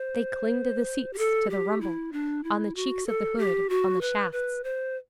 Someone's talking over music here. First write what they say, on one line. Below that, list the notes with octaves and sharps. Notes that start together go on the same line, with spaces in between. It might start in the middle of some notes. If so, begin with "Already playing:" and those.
They cling to the seats, to the rumble, on the cheeks of the hood, on the shafts.
Already playing: C5
G4
A4
G4
E4
D4
E4
F#4
A4
G4
F#4
B4
B4
C5